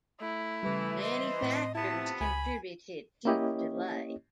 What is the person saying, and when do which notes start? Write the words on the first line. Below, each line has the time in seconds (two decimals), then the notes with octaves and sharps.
Many factors contributed to the delay.
0.21 A3 E4
0.63 C#3 E3 G3
1.02 C5 D#5
1.41 A2 C4
1.75 C3 F3 B3 E4 A5
2.21 C#2 G#5 B5
3.25 A#3 C#4 E4 G4 C#5 D#5